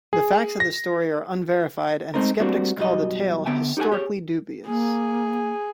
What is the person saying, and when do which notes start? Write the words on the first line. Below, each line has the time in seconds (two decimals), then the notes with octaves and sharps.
The facts of the story are unverified, and skeptics call the tale "historically dubious".
0.13 G#4
0.60 A#6
2.14 G#3 A3 C4 D#4 A#4
2.40 G3 A3 A#3 C4 D4 F#4
2.77 B1 F#2 G3 F#4 D#5
3.46 D3 B3 E5 G5 G#5
3.77 D#4 G4 A4 F#5 G#5
3.91 G4 G#4 C#5
4.67 A#3 G#4